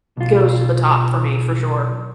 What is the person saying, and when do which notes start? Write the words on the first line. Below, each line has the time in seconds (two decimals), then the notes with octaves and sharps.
goes to the top for me, for sure.
0.17 B1 F4